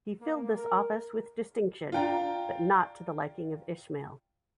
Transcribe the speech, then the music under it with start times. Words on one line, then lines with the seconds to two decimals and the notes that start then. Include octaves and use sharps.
He filled this office with distinction, but not to the liking of Ismail.
0.20 A#3
0.55 A#4
1.92 F4 D5 G5 A#5